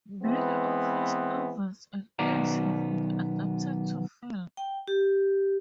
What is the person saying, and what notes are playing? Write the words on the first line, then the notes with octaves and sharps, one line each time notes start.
Many of his novels and plays have been adapted to film.
E3 G#3 B3 C4
B1 B2 D#3 B3 D5 A#5
G5
G4